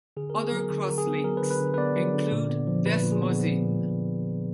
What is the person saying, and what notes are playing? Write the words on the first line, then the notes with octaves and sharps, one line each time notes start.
Other crosslinks include desmosine.
D3 G#4
B3 A#4
G#4
F#3 A#4
D3 G#4
D3 A#4
G#4
B3
F#3 A#4
B4
D3
B4
D3
B4
B3 D5
F#3
D3
A#2
B3
F3
A#2 B4
A#2
G#4
B3
F3